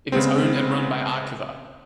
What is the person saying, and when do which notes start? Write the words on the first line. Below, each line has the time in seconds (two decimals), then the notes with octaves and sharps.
It is owned and run by Arqiva.
0.12 C#3 G#3 B3 C4